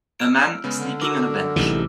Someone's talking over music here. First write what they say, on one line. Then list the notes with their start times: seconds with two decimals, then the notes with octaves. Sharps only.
A man sleeping on a bench.
0.20 E6 F6 D7
0.64 C#3 G#3 B3
0.78 D3
1.02 F#4 A#4 D6 E6
1.56 A1 C3 E3 G3 G#3 D#4